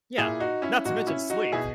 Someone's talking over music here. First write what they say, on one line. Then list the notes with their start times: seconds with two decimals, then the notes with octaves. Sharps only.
Yeah, not to mention sleep.
0.18 A#2 E4 G#4
0.40 D#4 F#4
0.62 C#4 E4
0.85 A#2 D#4 F#4
1.07 C#4 E4
1.30 D#4 F#4
1.52 B2 E4 G#4